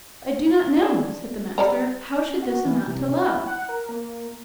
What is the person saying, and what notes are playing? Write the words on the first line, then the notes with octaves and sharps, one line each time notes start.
I do not know, said the Master: how should this amount to love?
D4
G3 D5 A#5
F#4
E3
C3
C#4
E4
F#5
A#4
A#3